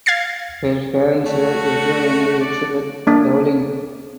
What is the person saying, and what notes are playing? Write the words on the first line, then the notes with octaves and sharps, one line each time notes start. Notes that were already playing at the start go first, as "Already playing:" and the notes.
Her parents were Edward and Elizabeth Dowling.
F5 G#6 A6 C7
A3 F#4
D5
A#3 D4